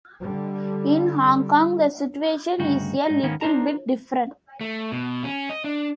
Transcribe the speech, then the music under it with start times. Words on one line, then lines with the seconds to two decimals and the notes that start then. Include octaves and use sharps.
In Hong Kong, the situation is a little bit different.
0.20 D3 G3
2.59 D2 G2 C#3 D#4 F#4 G5
3.06 G#2 D#4
3.22 D#2 G#2 D#3 A#3 B3 C#4
3.41 D4 D#4 A#4 C5 A5 A#5
4.61 A3
4.92 B2
5.24 C#4
5.50 D#5
5.64 D4